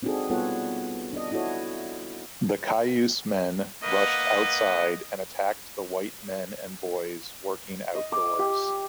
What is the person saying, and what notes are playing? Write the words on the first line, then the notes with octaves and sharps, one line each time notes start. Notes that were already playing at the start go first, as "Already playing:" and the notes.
The Cayuse men rushed outside and attacked the white men and boys working outdoors.
C4 D4 D#4 F#4 G#4 A4
G3 B3 F4 A4 C#5 F#5
D4 D#5
D4 E4 F#4 A4 C#5
A#3 B4 D#5 F#5
D#5
D6
G4